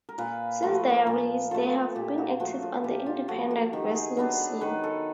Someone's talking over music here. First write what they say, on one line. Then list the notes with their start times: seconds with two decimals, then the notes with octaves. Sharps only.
Since their release, they have been active on the independent wrestling scene.
0.09 A#4
0.18 A#2 B4
0.62 F3 A3 B4
1.07 A#2 A#4
1.51 F3 A3 A4
1.96 A#2 G4
2.18 F#4
2.40 F3 A3 F#4
2.62 F4
2.84 A#2 G4
3.06 F4
3.28 F3 A3 F#4
3.51 F#4
3.73 D#3 G4
3.95 G#4
4.17 F#3 B3 D4 A#4
4.40 B4
4.61 D#3 B4
4.84 A4